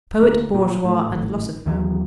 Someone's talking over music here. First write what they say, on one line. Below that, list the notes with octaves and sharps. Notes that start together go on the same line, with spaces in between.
Poet, Bourgeois, and Philosopher.
D2 A#3
A#2
A2
G#1 A2
D#2 E3 F#3